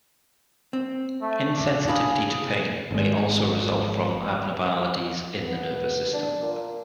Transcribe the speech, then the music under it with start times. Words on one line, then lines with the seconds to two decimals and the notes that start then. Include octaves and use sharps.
Insensitivity to pain may also result from abnormalities in the nervous system.
0.73 C4
1.22 A3
1.55 D4
1.88 D4 G#4 F5 B5
2.91 G#1 G#3
5.46 B3
6.13 D4
6.43 A#2